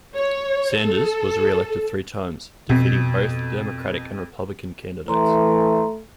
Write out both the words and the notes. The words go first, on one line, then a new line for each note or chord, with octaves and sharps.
Sanders was reelected three times, defeating both Democratic and Republican candidates.
C#5
A4
F2 B2
E3 A3 A#5 C6